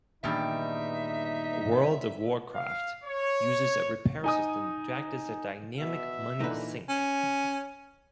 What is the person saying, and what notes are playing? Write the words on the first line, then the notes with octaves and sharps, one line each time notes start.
"World of Warcraft" uses a repair system to act as a dynamic money sink.
E2 G2 A#2 D#3 G3 D#4 E5
F5
C#5
D#4 G#5 D#6
B2 E5
A#2 D3 E3 D#4 B4
C#4